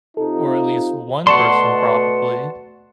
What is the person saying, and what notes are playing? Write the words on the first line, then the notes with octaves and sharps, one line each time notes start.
or at least one person probably,
C3 D#4 F4 A4
B2 A3 D5 F#5 A5 C6 C#6